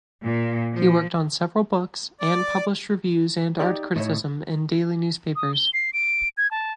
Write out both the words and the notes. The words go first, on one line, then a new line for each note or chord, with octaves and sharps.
He worked on several books and published reviews and art criticism in daily newspapers.
A#2
F3
D5
D#4 G4 D5
A2 D#4 E4 C#5
D#6
G7
C7
D7
G#6
A5